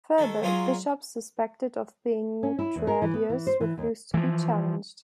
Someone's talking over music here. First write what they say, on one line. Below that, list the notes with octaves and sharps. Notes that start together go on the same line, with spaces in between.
Further, bishops suspected of being traditores refused to be challenged.
D#3 A4
F#3 G#3 F4 D#5 A#5
C#4
E4
E2
A#4
E3
B3
E3
C5
E3
D#2
E3 F3